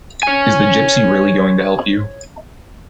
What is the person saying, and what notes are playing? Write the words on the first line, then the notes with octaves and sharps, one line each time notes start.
Is the gypsy really going to help you?
C#5 G#5